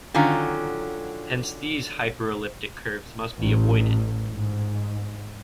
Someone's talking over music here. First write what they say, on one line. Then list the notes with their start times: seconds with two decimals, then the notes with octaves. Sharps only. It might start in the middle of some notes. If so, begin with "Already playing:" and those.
Hence these hyperelliptic curves must be avoided.
0.14 D3 D#3 F#3 C#4 F4 A#5
3.39 A1
4.30 G#2